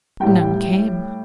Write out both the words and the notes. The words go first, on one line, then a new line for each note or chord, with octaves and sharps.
None came.
A2 G3 G5